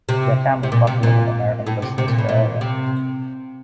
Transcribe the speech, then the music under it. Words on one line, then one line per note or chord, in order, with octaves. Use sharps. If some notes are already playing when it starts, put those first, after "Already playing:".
The camp was popular with American visitors to the area.
C3
C3
A#2
C3
A#2
A2
C3
C3
A#2
A2
A#2
C3